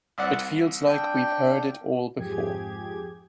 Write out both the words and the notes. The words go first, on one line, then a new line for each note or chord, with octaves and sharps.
It feels like we’ve heard it all before.
C2 D5 F#5
D4 G5
F2 G#2 F3 G4 G#4 G#6